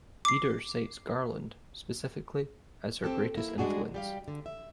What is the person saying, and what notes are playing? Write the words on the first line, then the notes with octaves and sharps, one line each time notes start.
Eder cites Garland, specifically, as her greatest influence.
D6 C7
C4 G4 A4
A#3 E4
G3 G#3 D4 F#4 G#4
G3 G4 F5
D3
E5